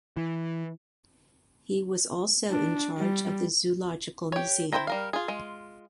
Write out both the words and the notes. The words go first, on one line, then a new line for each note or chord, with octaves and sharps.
He was also in charge of the Zoological Museum.
E3
D4
G3
G4 C#5
E4 B4 C5 G5 A#5
G3 A#4 F5
F4 G#4
G#3 F4